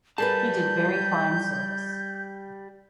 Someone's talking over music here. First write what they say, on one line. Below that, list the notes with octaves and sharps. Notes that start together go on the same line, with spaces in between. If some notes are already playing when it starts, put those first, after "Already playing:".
He did very fine service.
G3 G#4 A#4 B4 A5 G6